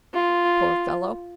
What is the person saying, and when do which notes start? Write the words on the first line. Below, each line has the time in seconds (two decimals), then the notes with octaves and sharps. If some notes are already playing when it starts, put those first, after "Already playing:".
Poor fellow!
0.14 F4